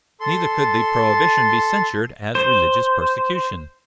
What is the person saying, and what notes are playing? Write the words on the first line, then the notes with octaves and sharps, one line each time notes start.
Neither could the prohibition be censured as religious persecution.
A4 C6
C5